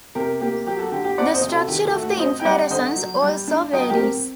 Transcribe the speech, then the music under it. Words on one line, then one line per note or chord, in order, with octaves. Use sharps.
The structure of the inflorescence also varies.
C3 G4 A#4
A#3 G4
F#3 G4
F#4 A4
D3 G4
G4
C4 D5 F#5
C5 D#5
C3
F#4 A4
D#3 G4
F#4 A4
A3
F#4
C4 C5 D#5
G5
G3 D5 F#5
D3 C5 D#5
F#3
G3
D4
F#3 D#5 G5
G4 A#4
C4